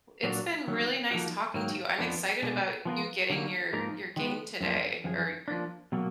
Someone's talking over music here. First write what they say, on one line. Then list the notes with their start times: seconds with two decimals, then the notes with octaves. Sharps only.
It's been really nice talking to you. I'm excited about you getting your your game today or your
0.23 A#2 F#3 A#3 D4 F#4
0.67 D#3 F#3 A#3 D#4
1.11 F3 A#3 D#4 F#4
1.54 G#2 D#3 F#3 A#3 D#4
1.98 F2 F3 B3 D4
2.42 B2 G#3 D4 G#4
2.85 F3 B3 F4 A#4
3.30 D3 F#3 A#3 D#4
3.73 G#2 F3 A#3 D#4 A#4
4.16 D#3 G#3 B3
4.61 F#2 F3 A#3
5.04 F#2 F3 G#4
5.48 F3 A#3 D4
5.92 B2 F#3 A#3